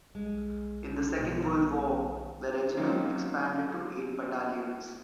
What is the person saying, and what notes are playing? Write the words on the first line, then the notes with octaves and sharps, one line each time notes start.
In the Second World War, the regiment expanded to eight battalions.
B1 G#3
B2 D#3 G3
F#3 A#3 C4 C#4 D#4